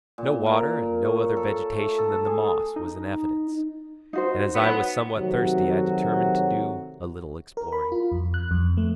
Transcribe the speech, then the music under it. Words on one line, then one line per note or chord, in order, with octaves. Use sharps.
No water, and no other vegetation than the moss was in evidence, and as I was somewhat thirsty I determined to do a little exploring.
A#2
A#4
C#5
A4
A3
A4
G#4
D#4
D#4 F#4 C5
F#3 B3
C3 D#3 F#3 A3 F#4
A#4
B5
F4
F2
F#6
F2
A3